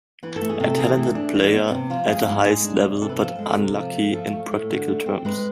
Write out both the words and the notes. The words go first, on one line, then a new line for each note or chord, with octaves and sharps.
A talented player at the highest level, but unlucky in practical terms.
E3 B4
A4
A3
G#4
C3 A4
E3 G#4
A3
D4
E3
B3
C3
F3 F4
G#3 G#4
G#2 G#4
G#3 G#4
D4
C3
C3 A4
B4
F3 A4
G#3
C3
F3
A3
F3 A4
A3
A2
D3
A3
C4
G#3 B4